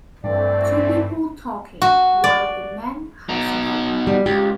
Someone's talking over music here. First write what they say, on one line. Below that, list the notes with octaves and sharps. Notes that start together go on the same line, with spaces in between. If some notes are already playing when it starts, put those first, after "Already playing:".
Two people talking, while the man has a beer.
G2 E3 A3 C4 D5
F#4
D5
B2 D#4
G3
C#2 G4